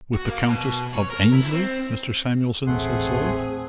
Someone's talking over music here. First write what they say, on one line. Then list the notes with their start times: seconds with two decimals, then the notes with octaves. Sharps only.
"With the Countess of Aynesley?" Mr. Samuelson said slowly.
0.14 F#4
0.27 A#3
0.48 B2
0.93 C#5
1.10 A#4
1.33 E4
1.52 C4
2.67 D#1 A1 A3 C4 G#4 F#5 C6